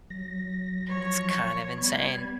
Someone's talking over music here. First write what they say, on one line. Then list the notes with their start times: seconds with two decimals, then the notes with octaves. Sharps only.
It's kind of insane.
0.10 F#3 A#6
0.89 F3 C#5
1.78 G3 B3 B5 G#6